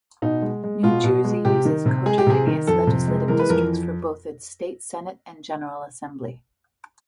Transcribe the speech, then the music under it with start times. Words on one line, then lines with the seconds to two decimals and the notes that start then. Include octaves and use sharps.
New Jersey uses coterminous legislative districts for both its State Senate and General Assembly.
0.22 B2 D#4
0.42 G#3
0.64 G#3
0.83 B2 F4
1.04 B2
1.24 G#3
1.45 C3 G4
1.65 D#3
1.86 C3
2.06 G#3 G#4
2.18 G4
2.27 C3 G#4
2.47 D#3
2.67 F2 A4
2.87 C3
3.08 G#3
3.28 E3 A#4
3.39 B4
3.49 F2 A#4